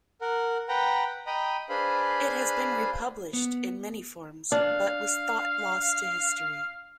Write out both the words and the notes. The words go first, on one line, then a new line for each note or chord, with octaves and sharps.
It has been republished in many forms, but was thought lost to history.
A#4 F#5
B4 F#5 G5 A#5
D#5 G5 A#5 B5
D4 G#4 B4 C5 F5 B5
B3
D4 F5